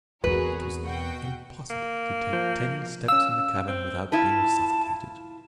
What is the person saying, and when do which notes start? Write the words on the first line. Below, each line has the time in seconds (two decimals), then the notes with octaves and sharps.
It was impossible to take ten steps in the cavern without being suffocated.
0.24 E2 C4 F#4 G#4 A#4 B4
0.83 B2 F#4 G5
1.70 A#3
2.33 F3 G6
3.08 C#4 F5 E6
3.68 C4
4.12 E4 F4 B4 A5